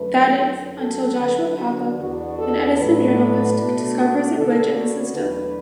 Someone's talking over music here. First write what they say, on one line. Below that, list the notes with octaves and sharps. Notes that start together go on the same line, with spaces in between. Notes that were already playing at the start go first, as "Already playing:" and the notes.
That is, until Joshua Pollack, an Edison journalist discovers a glitch in the system.
Already playing: F#2 D3 A3 D4 B4
F#2 D3 F#3
A4
D3 F#3 D4 B4
F#4
E2 B2 B3 D4 F#4
A4
A2 F#3 D4 B4
B2 A3 D4
F#4
D3 B3 D4 A4
F#4
E2 B2 F#3 A3 D4 B4